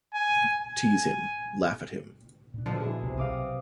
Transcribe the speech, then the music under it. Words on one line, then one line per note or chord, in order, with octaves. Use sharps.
Tease him — laugh at him.
G#5
G#5
A#2 D4
B2 D3 F3
E4 G#4
C2 C3
B1 C4 F5 D6 D#6